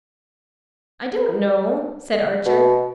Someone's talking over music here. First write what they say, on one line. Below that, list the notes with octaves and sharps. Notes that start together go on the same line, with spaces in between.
"I don't know," said Archer.
B2